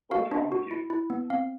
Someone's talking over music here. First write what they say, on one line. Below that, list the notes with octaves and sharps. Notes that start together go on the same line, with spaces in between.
What is wrong with you?
F#4 F5
D4
F#4
E4
E4
B3
C4 F5